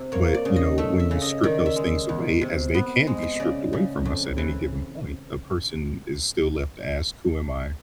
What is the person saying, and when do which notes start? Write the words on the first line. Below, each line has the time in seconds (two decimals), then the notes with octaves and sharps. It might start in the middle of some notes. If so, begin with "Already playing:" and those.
but, you know, when you strip those things away- as they can be stripped away from us at any given point- a person is still left to ask, "Who am I,
Already playing: C3
0.12 A#3 C#5
0.34 D5
0.45 C#3
0.56 D#5
0.78 A3 E5
1.00 E5
1.11 C#3
1.22 D#5
1.43 D#3 D5
1.66 E5
1.76 G#3
1.87 E5
2.09 E2
2.41 C3
2.74 B3
3.07 G#3
3.35 C#3 D5 D#5
3.73 C#3
4.05 F2
4.38 E3